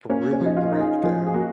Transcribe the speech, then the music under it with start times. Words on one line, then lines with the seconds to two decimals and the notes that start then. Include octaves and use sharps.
but really break down
0.10 A#3 C#4
0.33 C#4
0.41 F3 D#4
0.57 F4
0.73 D#4
0.80 G#4
1.03 F3 G#4
1.27 G#4
1.34 A#3 F#4